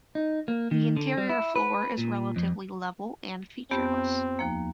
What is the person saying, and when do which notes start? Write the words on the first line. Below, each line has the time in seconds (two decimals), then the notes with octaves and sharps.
The interior floor is relatively level and featureless.
0.15 D#4
0.48 A#3
0.71 D#3
0.96 D3
1.18 G3
1.29 E4
1.56 B4
1.98 A#2
2.36 F2
3.71 F2 B3 C4 G4
4.39 D#2 F3 A#3